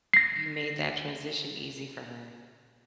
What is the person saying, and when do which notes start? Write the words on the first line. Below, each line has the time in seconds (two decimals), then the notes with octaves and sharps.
you made that transition easy for her,
0.14 A#6 C7